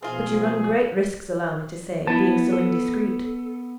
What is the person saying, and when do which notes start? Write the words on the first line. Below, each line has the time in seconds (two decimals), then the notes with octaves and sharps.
But you run great risks, allow me to say, in being so indiscreet.
0.02 B2 F3 C4 F4 G#4
2.07 B3 E4 A5
2.53 A4